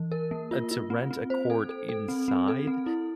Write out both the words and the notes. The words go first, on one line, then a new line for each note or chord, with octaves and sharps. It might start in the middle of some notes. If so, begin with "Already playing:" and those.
uh, to rent a court inside
Already playing: E3
A#4
A#3
F4
F4
C4
C4
C5
A4
A4
A4
C4
C4
A4
C4
E4